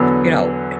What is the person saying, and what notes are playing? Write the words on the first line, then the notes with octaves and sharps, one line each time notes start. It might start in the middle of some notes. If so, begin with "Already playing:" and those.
you know,
Already playing: E2 D3 F#3 B3